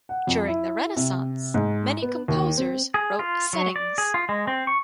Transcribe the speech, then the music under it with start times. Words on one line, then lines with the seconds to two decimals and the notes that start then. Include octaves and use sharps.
During the Renaissance many composers wrote settings.
0.09 F#5
0.27 F2
0.48 E4
0.96 C3
1.54 G#2
2.02 B3
2.28 D#2
2.58 C4
2.94 G#4
3.19 F4
3.53 F#3
3.76 D5
3.98 G#4
4.14 F4
4.29 G#3
4.47 C4
4.67 C#6